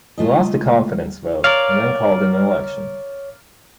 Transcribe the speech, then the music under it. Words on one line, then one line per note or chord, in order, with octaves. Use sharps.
He lost a confidence vote and then called an election.
G#3 A3 F4 D#5
A#4 C#5 D5 F5